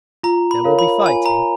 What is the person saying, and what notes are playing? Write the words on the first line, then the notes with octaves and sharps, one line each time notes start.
There will be fighting.
F4 A#5
B5
A#4 C#5 F5
B5
F4 G#5
A#5